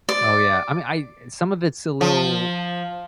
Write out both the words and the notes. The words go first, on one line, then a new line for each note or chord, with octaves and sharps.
Oh, yeah. I mean, I some of it's a little
D5
F3